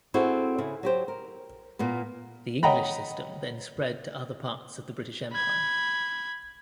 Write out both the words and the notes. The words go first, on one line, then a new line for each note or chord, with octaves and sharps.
The English system then spread to other parts of the British Empire.
C4 E4 F#4 G#4 A4
C#3 E4
F#3 G4 C5
A#4
A#2 A#3 B3
C#5 D#5 F#5 G5 A#5 B5
B5 G#6